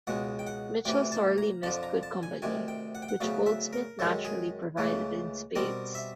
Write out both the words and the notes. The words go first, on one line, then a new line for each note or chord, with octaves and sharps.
Mitchell sorely missed good company, which Goldsmith naturally provided in spades.
C#2 B2 G#3 F#5
G5
F#5
D2 C3 E3 G5
A5
A#5
F2 D3 F3 A5
A#5
A5
G#5
D2 C3 D#3 G#5
G5
F#5
G5
F#5
D2 C#3 F#3 B3 F5
E5
A#4
F#2 D#3 G#3 A4
G#4
C#2 C#3 E3 A3
B2 G3 C4 A#4
E5